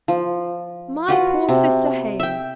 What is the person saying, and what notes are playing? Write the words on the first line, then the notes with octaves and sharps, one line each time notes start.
My poor sister Hale!
F3
F4 F#4 B4
C3
E5 G5